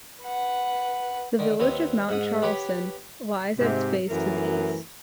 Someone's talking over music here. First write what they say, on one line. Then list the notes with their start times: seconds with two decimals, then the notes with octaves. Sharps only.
The village of Mount Charleston lies at its base to the east.
0.22 B4 F#5
1.39 D3 D#3
1.60 D#2 B3 C4 C#5 D#5
2.09 G#2 F#5 D#6
2.42 B3 G4 B4 C#5
3.59 G#2 C3
4.09 F#2 E3 A3 A#4